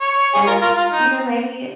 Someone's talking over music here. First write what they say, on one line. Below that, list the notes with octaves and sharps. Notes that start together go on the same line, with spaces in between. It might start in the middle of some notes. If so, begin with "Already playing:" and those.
and, you know, maybe
C#5
C#5
G#4 C#5
F4 A#4
F4 A#4
F4
D#4